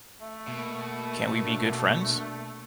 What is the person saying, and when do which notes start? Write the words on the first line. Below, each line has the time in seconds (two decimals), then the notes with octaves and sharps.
Can’t we be good friends?
0.21 A3 E5
0.48 B2 A#3
1.38 D4